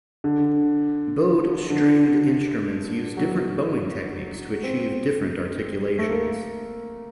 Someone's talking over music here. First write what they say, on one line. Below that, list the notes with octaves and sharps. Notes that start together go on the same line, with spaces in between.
Bowed stringed instruments use different bowing techniques to achieve different articulations.
D3
D3
F#3
C4
A3
A#3